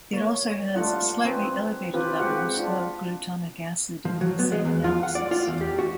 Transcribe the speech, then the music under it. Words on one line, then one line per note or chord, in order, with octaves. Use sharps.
It also has slightly elevated levels of glutamic acid in the same analysis.
A#3 C#5
G3 A3 D4 F4 F#5
C4 B4
C4 F4 G4 B4
G#3 C4 F#4 G4 F#5
D4 F4
F3
F#3
B3
G#3
E2
F4
F#5
D5
F4
E2
G4
F#4